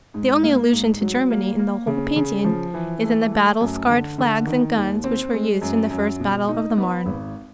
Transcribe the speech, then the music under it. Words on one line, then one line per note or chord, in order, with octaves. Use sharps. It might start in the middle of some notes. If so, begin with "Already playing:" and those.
The only allusion to Germany in the whole painting is in the battle-scarred flags and guns which were used in the first battle of the Marne.
G#2
A#3
G#2
F#3
A#3
A#3
C#3
C#3
F3
E3
A3
A3
F#2
D3
D3
D#3
D#2
C4
G#3
F#2
F#2
B2
D#4
B3
G#1